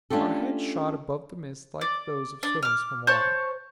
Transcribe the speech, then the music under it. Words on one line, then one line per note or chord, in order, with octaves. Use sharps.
Our head shot above the mists like those of swimmers from water.
A3 C#4 D4 F4 G4 A4
D5
D4
D6 F6
C5 C#5 A5 F#6